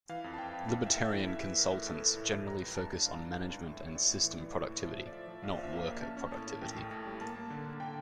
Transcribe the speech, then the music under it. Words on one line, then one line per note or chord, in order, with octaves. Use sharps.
Libertarian consultants generally focus on management and system productivity, not worker productivity.
E3 F5
F2
A5
F2 G5
F2
F2 G5
F5
F2 E5
A3 F5
E3
C#4 E5
E3
A2 A#4
A2
A2 A4
A3
A2 C#5
E3
G3 A#5
C#2
D4 A5
D4
G3 F5
D4
D4
C#2
A2 E5
A2
C#5
A2 D5
A2
E3
E3
A2
A2
F3 E5
A2
D5
F3 E5
F3
A#1 F5
F3
E5
A#3 F5
A#3
C#4 A5
C#4
A2 A5
C#4
A1 G5
A2
A2
G3
A#3 A5
A#3
D3
D3
D3 G5